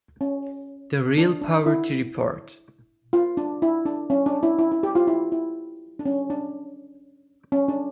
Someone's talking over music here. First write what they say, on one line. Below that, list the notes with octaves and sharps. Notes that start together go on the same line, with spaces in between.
The Real Poverty Report.
C#4
D4
D4
E4
F4
D4
E4
D4
C#4
D4
E4
E4
E4
G4
F4
E4
E4
D4
C#4
D4
C#4
D4